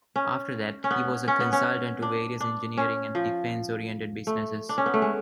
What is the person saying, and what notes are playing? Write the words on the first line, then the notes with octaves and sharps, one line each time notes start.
After that, he was a consultant to various engineering and defense-oriented businesses.
C#4
C#4
B3
C#4
B3
C#4
D4
D4
C#4
F3
A3
D4
C#4
B3
A3
G#3